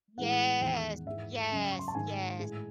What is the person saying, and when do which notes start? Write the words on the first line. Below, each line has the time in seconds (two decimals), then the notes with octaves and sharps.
Yes. Yes, yes.
0.18 A2 E3 G#3 F#5
0.61 E2 D#3 G#3
1.06 G#2 E3 G#3 E5
1.51 F#2 C#3 F#3
1.71 C#6
1.79 C6
1.88 A5
1.95 G#2 D#3 G#3 G#5
2.39 A2 G#3